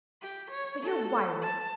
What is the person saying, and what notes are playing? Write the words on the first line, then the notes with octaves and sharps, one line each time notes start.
But you're wiry.
G4
C#5
A4
A5